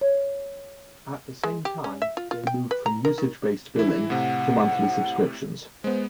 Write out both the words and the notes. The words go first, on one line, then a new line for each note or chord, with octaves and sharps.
At the same time, they moved from usage-based billing to monthly subscriptions.
C#5
G#3
G4
C#4
E5
F4
F4
G5
B4
A#5
A#4
D#3
E3 E4
A2 C3 F#5
G#3 B3 C5